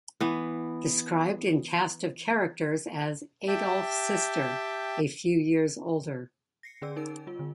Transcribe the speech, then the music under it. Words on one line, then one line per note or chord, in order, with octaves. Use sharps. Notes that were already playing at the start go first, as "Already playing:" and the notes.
Described in cast of characters as 'Adolf's sister, a few years older.
E3 B3
G4 E5 G5 A5
A#6 C7 C#7
D3 C#4 G#4 D5 E6
D#4 A#4 D7
G3 F4
D3